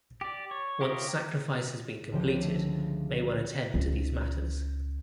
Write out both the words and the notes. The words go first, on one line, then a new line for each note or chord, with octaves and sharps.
Once sacrifice has been completed, may one attend to these matters.
G4 D5
C#5
F4 G4 A#4 C#5 D#5
C#2 D3 F3 C#4 G4
A3
C#2